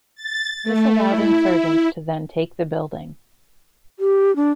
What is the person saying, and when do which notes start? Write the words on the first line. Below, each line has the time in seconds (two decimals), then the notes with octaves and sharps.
This allowed insurgents to then take the building.
0.15 A6
0.63 A3
1.04 E4
3.99 G4
4.36 D4